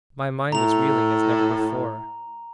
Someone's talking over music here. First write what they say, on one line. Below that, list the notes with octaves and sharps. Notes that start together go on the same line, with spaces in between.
My mind was reeling as never before!
A2 A#5 F7